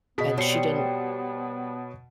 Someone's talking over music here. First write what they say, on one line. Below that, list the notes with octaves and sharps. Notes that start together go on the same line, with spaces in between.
and she didn't
B2 B3 G#4 D#5 B6
B2 G3 C4 C#5 C7 C#7